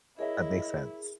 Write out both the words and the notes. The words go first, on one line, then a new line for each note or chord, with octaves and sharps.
That makes sense.
E4 G#4 A#4 C#5 D#5 E5